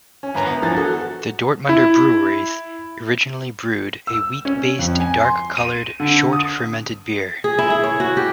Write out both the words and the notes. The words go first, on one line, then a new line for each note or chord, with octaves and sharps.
The Dortmunder breweries originally brewed a wheat based, dark coloured, short fermented beer.
C#4
G1 B4 A#5
B3
G2 E3 F3 B3 A#5 A6
F#4 A4
E4
E6
C#4
F2
G#5
C6
D#7
D3
D#6
G#4
E4
G#4
C#5
F#4
G4